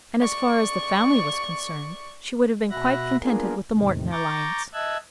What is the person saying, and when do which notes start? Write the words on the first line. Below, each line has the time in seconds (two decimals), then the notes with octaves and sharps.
And, as far as the family was concerned, she would have been quite contented with the Morton alliance.
0.21 D5 C#6
2.71 B2 F#4 E5 B5 F#6 A#6
3.22 A#3 B3 D4 F4 G#4 A#4
3.73 E2 A2 C3 D#3
4.11 A#5 C#6 D6 G6 A6 A#6
4.73 D#5 E5 A5 E6 F#6 G#6